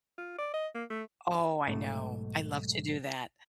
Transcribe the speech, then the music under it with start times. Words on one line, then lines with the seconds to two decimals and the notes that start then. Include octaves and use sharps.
Oh, I know. I love to do that.
0.18 F4
0.38 D5
0.54 D#5
0.75 A#3
0.90 A3
1.67 B1 G#2 A3